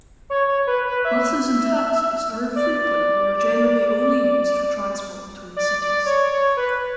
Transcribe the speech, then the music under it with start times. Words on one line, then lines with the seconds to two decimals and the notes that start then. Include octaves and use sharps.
Buses and taxis are infrequent and are generally used only for transport between cities.
0.30 C#5
0.48 C#5
0.67 B4
0.86 B4
1.05 E5
2.56 D5
5.56 D5
5.82 D5
6.06 C#5
6.32 C#5
6.57 B4